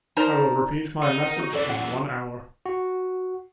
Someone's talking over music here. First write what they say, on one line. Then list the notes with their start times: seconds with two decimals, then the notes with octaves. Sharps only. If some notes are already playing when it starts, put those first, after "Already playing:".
I will repeat my message in one hour.
0.17 D#4 A#4 C5 D5 A5 A#5
1.02 D#4 D5 B5
1.20 A#4 F#5
1.35 B3 F#4
1.53 F#2 E3 A4 D5
1.66 G#4 F#5
2.66 F#4